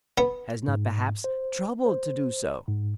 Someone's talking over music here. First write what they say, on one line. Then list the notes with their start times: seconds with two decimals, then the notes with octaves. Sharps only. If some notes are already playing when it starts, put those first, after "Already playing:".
Has not perhaps troubled to do so.
0.18 B3
0.68 G#2
1.24 C5
1.86 C5
2.68 G#2